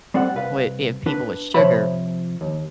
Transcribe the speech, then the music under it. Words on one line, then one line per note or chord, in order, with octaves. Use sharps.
wi if people with sugar,
G3 C4 A4 D5 F#5
C2 B4 F5
D4 B4
C3 F3 C5 C#5 E5 B5
D#2